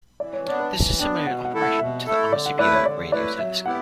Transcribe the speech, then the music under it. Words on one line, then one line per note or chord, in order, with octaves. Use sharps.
This is similar in operation to the Arecibo Radio Telescope.
E3 D5
C#5
B3 D4 C#5
B4
E3 A5
B3 D4 G5
B2 F#5
F#5
A3 E4 A4
F#5
B2 E5
A3 E4 A4
D3 D5
F#5
A3 E4 B4 D5
C#5
D3 D5
A3 E4 B4 D5
F#3 E5
B3 E4 G4 F#5